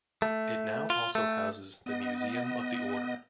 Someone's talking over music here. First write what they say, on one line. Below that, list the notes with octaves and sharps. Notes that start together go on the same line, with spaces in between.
It now also houses the Museum of the Order.
A3
F4
A3
B3 D#5